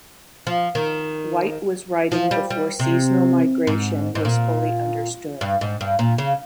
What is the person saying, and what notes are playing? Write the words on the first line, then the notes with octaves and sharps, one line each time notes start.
White was writing before seasonal migration was fully understood.
F3
D#3
F3
G3
G3
C3
G#2
G#2
A#2
G2
G#2
G2
A#2
C#3